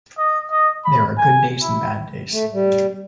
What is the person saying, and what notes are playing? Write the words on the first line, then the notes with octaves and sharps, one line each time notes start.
There are good days and bad days.
D#5
D#5
B5
G#5
E4
A3
G3